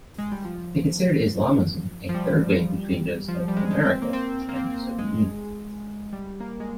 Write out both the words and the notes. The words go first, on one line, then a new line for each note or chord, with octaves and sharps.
They considered Islamism a third way between those of America and the Soviet Union.
G#3
G3
F3
F3
G3
F3
G3
G#3
G#3
C4
A#3
C4
C4
A#3
C4
C4
G#3
G3
A#3
G#3